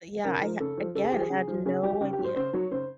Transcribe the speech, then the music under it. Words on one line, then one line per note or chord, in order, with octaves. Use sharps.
Yeah, I, again, had no idea.
C#3 A#4
F3
C#3 A4
F3
C#3 A4
G#4
F3 G4
G#4
C#3
F3
C#3 G#4
F#3 G4
C#3 G4
G4
F#3
C5
C#3 C5
F#3 C#5
C#3 C5